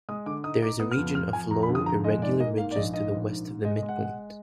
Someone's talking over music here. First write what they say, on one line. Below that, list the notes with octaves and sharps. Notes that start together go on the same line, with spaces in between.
There is a region of low, irregular ridges to the west of the midpoint.
G#3 D#6
D3 D6
D#4 D#6
D#4 D6
B3 D#6
F6
F2
F2 F6
F2 G#5
F2 A#5
B5
D3
D#6
F2 A#5
G#3 D#5
G#2 D5
A#3 D#5
G#2 F5
D5
A#1 D#5
G#2 D#5
A#1
G#2
G#2
G#3 D#5
D#5
G#3
F#5
G#3